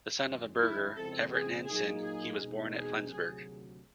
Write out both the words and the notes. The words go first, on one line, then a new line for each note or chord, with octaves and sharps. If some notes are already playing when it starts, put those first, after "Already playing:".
The son of a burgher, Evert Nansen, he was born at Flensburg.
F#2 D#3 G#3
E4
F2 C#3 F3 G#3 C4 A4
G#4
A#2 F#3 A#3 D#4 G#4
G#4
E2 B2 G#3 C4 D#4
G#4
D2 C3 D#3 F#3 G#4